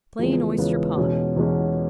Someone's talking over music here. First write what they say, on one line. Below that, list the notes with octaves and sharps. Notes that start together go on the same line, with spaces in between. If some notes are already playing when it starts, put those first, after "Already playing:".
Plain Oyster Pie.
E2 C#3 F3 G#3 B3
E2 C#3 F3 G#3 B3
E2 B2 G#3 C#4 F#4
E2 B2 G#3 C#4 F#4